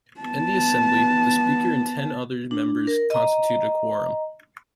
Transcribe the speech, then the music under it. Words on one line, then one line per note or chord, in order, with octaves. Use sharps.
In the Assembly, the Speaker and ten other members constitute a quorum.
B3 A5
D4
A#4
D#5 A#5